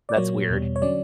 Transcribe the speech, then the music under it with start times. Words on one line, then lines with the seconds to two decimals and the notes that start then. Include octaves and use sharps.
That's weird.
0.09 D5
0.17 A#2 F#3 A#3 C#5
0.50 E2 B2 G3
0.76 C#5
0.82 D3 F#3 C#4 D5